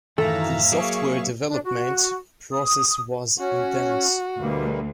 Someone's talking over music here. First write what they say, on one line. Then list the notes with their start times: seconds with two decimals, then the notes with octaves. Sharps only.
The software development process was intense.
0.18 F#2 A2 D#3 E3 A4 E5 F5 A#5
0.72 F#3 A#3 G#4 C#6
1.48 D4
1.64 F#4
2.51 D#6
3.40 C#4 F#4
4.40 D2 B2 G3 A#3